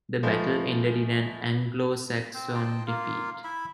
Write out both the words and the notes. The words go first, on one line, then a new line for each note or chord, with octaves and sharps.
The battle ended in an Anglo-Saxon defeat.
F3 G#3 A3 B3
C4 C5
C5 D#5 G5 A5
A#3 F4 F5
E4 E5 B5